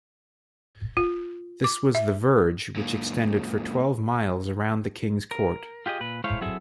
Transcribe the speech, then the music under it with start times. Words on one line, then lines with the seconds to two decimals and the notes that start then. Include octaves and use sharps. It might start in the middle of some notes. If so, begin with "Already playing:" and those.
This was the verge, which extended for twelve miles around the king's court.
0.97 F4
1.64 D6
1.95 E5
2.76 F#2 A#2
5.31 A#4
5.86 F4 G4 G#4 D#5
6.00 A#2 B4
6.24 G#3 A3 E4 C5 C#5 F5
6.41 F#3 C4 E4 G#4 A4 E5